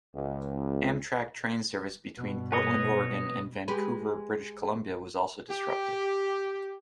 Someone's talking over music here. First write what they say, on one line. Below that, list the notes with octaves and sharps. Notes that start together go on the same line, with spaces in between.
Amtrak train service between Portland, Oregon and Vancouver, British Columbia was also disrupted.
C#2
G2 B2
B4 C#5 D#5
G#3 G4 B4
G4